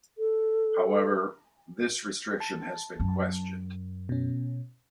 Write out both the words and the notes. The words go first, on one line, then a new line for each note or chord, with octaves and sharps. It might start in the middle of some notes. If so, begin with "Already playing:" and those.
However, this restriction has been questioned.
A4
A5
F#2
B2 C#4